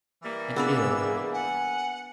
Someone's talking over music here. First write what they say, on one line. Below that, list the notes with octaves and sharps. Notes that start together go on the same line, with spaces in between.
And ill....
E3 G3 A#3
B3 D4 G#4 D5 E6
F#5 G#5